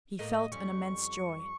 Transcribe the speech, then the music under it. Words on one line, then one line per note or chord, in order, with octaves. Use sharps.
He felt an immense joy.
A2 A3 A#3 D#5
F2 G3 C#4 C#6